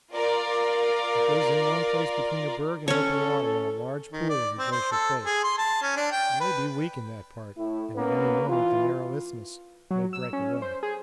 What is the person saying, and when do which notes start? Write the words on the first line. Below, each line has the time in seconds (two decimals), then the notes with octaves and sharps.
It goes in one place between a berg in open water and a large pool of the glacier face--it may be weak in that part, and at any moment the narrow isthmus may break away.
0.14 F4 A#4 D5
2.88 C#4 A4 C#5
4.12 D#3
4.30 D5
4.59 C4
4.72 C5
4.92 A4
5.26 G#4
5.44 C6
5.58 A5
5.82 C#4
5.97 D4
6.12 G5
6.40 B4
7.57 A2 E4
7.95 A#3 B3 C#4 B4
8.48 E3 F4
9.91 F#3
10.13 E6
10.33 C#4
10.62 C5
10.83 G#4